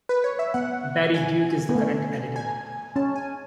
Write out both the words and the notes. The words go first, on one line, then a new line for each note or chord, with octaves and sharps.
Barry Duke is the current editor.
B4
C#5
E5
B3 F#5
G#5
B3
A3
G#5
C#4 A5
G#5